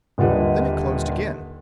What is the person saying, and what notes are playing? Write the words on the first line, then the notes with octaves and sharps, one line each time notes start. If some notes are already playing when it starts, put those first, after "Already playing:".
Then it closed again.
D#1 A#2 D3 G3 B4 D#5